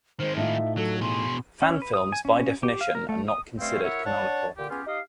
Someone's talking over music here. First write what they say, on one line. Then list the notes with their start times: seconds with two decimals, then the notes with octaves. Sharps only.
Fan films by definition are not considered canonical.
0.20 D#3 G#3 C5
0.37 A2 D#4 F4 E5
0.77 F#3 A4
1.01 B2 G#4 C6
1.62 C#4
1.82 B4
1.94 D#6
2.12 G#5
2.25 C#4
2.63 G4
2.81 F5
2.95 A#4
3.09 A3
3.28 D#6
3.59 G2 A3 C4 C#4 F5
3.84 E4 A#4 C#5 E5 F#5
4.05 D4 C#5 F#5 A5
4.58 A#2 D3 G4
4.70 B3 C#4 F4 G4 G#4
4.86 D#4 G4 D#5 F5